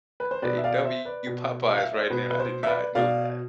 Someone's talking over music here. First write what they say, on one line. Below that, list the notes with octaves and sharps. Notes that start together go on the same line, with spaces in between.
Hey, W Popeyes right now, I did not know that.
B4
C5
B2 B4 D5
E5
D5 F5
C5 E5
B4 D5
B2
F5
E5
D5
C5
B2 B4
B4
C5
E5
B4 D5
B2 D5 F5